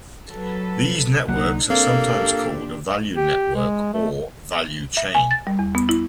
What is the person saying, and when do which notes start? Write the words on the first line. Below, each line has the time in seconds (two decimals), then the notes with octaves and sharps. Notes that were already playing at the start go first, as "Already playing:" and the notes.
These networks are sometimes called a value network or value chain.
0.31 F#3 A4 B4
1.28 C2 D3 F#3 A#3 D#4 F#5
1.70 A#2 A#3 C4 D4 G4 A4
3.17 G4
3.55 G#3
3.94 A3
4.97 E5
5.15 G#5
5.31 A6
5.47 G3
5.59 E2
5.75 B3
5.89 E4